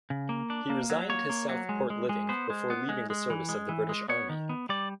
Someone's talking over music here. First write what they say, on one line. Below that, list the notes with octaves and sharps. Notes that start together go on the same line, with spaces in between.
He resigned his Southport living before leaving the service of the British Army.
C#3
A#3
D4
A#3
F#3
A#3 C#5
A#3
F#3
G#3
G#3
G#3
B3 C5
G#3
B3
G#3
G#3
E3
G#3
E3
G#3
B3 C#5
D#3
B3
G3 D5